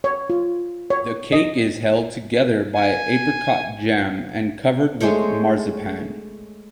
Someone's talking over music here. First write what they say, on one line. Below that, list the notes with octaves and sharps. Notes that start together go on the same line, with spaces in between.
The cake is held together by apricot jam and covered with marzipan.
C#5
F4
C#5
D#5
G#5
G#3 A3 C5 C#5